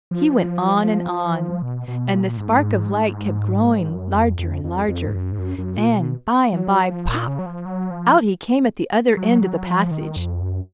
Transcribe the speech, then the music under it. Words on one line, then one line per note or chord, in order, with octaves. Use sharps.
He went on and on, and the spark of light kept growing larger and larger, and by-and-by--pop! out he came at the other end of the passage.
F3
B2
B2
A#2
G#2
F#2
F2
F2
F2
F2
G#2
F#2
G#2
F#2
F#2
A#2
B2
F#3
F3
A#2
C#3
F#3
F3
F#3
F3
F#3
F#3
F3
D#3
F2
F#2